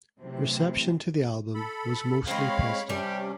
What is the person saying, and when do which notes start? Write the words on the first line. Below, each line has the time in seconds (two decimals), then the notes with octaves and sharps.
Reception to the album was mostly positive.
0.18 C3 E3 F#3 A3 C4
1.54 A4 B5
2.27 G#3 C4 C#5 F5 B5
2.89 C3 G3 C#4 D4 G4